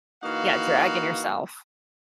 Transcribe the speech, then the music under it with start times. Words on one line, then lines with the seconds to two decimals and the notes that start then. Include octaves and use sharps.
Yeah, dragging yourself.
0.23 E3 A#3 D#4 F#4 F5